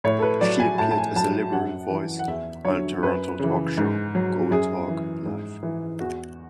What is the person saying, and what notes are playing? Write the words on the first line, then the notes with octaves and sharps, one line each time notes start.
She appeared as the Liberal voice on a Toronto Talk Show, Goldhawk Live!
A2 C#5
A4
B4
F#3 D5
G#5
A2 A5
A5
G#5
F#3 A5
F#2 F#5
E3
F#5
E2 E5
D3 F#3 C#5
F#2 B4
C#3 E3
G#2
F#3
F#2 G#4
E3
G#2
E3
E2 F#4